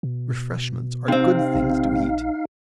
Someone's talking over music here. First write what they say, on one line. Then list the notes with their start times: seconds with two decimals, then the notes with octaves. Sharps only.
"Refreshments are good things to eat!"
0.03 B2
1.08 C3 C4 D#4 F5
1.55 A#1